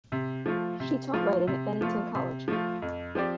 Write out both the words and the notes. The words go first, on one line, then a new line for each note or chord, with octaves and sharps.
She taught writing at Bennington College.
C3
F3 A3 F4
C3
F3 A3 F4
C3
F3 A3 F4
C3
F3 A3 F4
F2
F3 C4 G4 D5